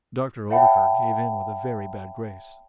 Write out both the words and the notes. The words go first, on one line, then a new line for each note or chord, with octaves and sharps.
Dr. Oldacre gave in with a very bad grace.
C#5 E5 F#5 G5 A5 B5